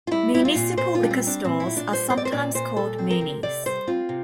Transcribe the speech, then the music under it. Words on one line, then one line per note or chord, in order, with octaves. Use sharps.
Municipal liquor stores are sometimes called Munis.
F4
G3 E4
C4 E4
F4
A#2
A#2 C5
F4
G3 D4
C4
C4 D4
A#2 C4
E4
A#2
D4
G3 C5
C4 C5
D5
C5
A#2 D5
A#2 C5
G3 A4
C4
A#4
C3
C3 D5
G3 C5
C4 F4
C3